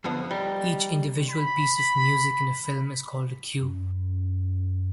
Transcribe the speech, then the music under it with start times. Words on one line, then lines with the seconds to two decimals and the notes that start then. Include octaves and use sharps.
Each individual piece of music in a film is called a "cue".
0.04 F2 D3 F3 B3
0.31 G3 D#4
1.30 B5
3.61 F#2